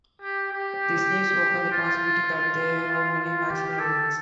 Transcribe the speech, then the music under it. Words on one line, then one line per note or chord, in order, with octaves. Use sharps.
This leaves open the possibility that there are many maximal elements.
G4
G4
F4
F4
F4
G4
A4